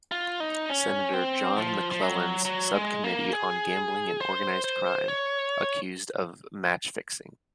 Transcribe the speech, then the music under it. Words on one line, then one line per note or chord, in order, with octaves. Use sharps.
Senator John McClellan's subcommittee on Gambling and Organized Crime, accused of match fixing.
F4
D#4
C#4
C4
F3
F3
F#3
F#3
G#3
A#3
G#4
C5
C5
C#5